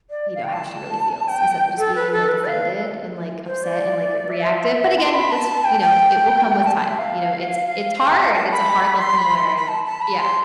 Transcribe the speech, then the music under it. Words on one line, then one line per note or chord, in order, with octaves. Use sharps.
you know, how she really feels instead of just being, like, offended and, like, upset and, like, r reactive, but, again, that's you know, it will come with time, you know, it's it's hard, it's a hard lesson to learn, yeah.
D5
F5
G5
A5
G5
A4
B4
A4
B4
F5
C5
D5
E5
C6
B5
A5
G5
G5
A5
A5
E5
F5
F5
G5
A5
A5
B5
C6
B5
C6
B5
B5
A5
A5
B5
C6